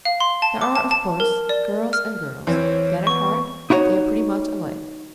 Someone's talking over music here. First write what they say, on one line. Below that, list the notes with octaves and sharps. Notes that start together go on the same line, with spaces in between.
There are of course, girls and girls; yet at heart they are pretty much alike.
F5
C6
A5
D6
A5
A5
A#4
D5
F6
E2 E3 C4 C#5
B3 C#6
D#4 E4 F#4 C#5 A#5